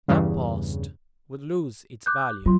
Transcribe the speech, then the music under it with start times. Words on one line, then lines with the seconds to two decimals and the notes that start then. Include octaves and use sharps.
"That post would lose its value."
0.08 E2 G2 C#3
2.06 D6 F#6 G6
2.46 F#3 F4 C6